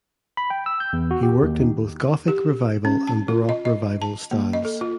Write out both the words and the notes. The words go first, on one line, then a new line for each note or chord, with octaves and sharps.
He worked in both Gothic Revival and Baroque Revival styles.
B5
G5
E6
G6
E2
F#4
G4
D#2
D#4
G4
C#4
A5
F4
D#5
D#5
A5
A#3
D#5
A4
F4